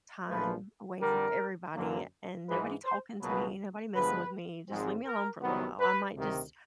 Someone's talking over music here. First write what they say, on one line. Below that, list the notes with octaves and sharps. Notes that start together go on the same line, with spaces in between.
time away from everybody, and nobody talking to me, nobody messing with me. Just leave me alone for a little while. I might just
A#1 A#2 F3 A3 B4
F2 D3 G3 A#4
F#2 D3 F#3 A#3
G#2 E3 G#3 B4
C5
C#2 B2 F#3 A#3 B4
G2 D3 F3 G#3 B3 B4
G#1 G#2 F3 G#3 C4
A#4
C2 C3 D#3 F#3 B3
B4
D2 C3 D#3